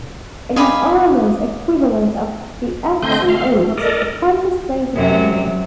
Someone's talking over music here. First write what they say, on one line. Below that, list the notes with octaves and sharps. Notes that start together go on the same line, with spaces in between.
It is Ireland's equivalent of the Epsom Oaks, a famous race in England.
C4 D#4 G4 F5 G#5 B5
D3 A3 C4 D#5 C6 G6
A3 F5
A3
A4 A#4 D5 D#5
F#2 C3